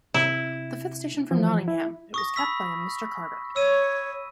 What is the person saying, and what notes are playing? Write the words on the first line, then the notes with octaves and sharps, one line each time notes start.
The fifth station from Nottingham, it was kept by a Mr. Carter.
C3 E4
E3 F3
E4
C#6 D#6 A#6
B5 E6 B6
C#5 E6 D#7